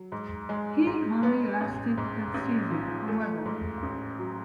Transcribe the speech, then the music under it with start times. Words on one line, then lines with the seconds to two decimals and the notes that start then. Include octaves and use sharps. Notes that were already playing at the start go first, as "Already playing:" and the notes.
He only lasted that season, however.
Already playing: F#3
0.12 G#2
0.49 G#3
0.87 G#2
1.23 B3
1.60 A1
1.97 G#2
2.34 A1
2.71 F3
3.08 A3
3.45 G#2
3.83 A1
4.19 F#3